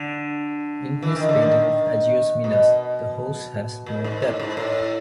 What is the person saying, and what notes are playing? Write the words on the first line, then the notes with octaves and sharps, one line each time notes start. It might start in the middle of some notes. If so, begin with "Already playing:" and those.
In his painting of Agios Minas the horse has more depth.
Already playing: D3
E3
D#3
D3
D#3
B2
A#2
G#2
A2
G#2
A2